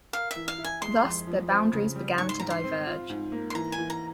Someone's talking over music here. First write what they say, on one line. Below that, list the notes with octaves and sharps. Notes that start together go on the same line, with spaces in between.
Thus their boundaries began to diverge.
A#4 F5
E5
E3
F5
E4
G#5
G#3 C6
F2
F3
C4
C#3
G3
G#2 C#6
C6
G#2 A#5
C6
C4
F4
G#2
A#3
C6
E3 A#5
G#5
E3
A#5